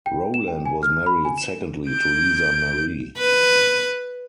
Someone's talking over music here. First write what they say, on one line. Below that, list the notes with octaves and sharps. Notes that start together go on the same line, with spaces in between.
Rowland was married secondly to Lisa Marie.
G5
E7
G5
G#5
F6
B5
G#5
E7
G6 D7
B4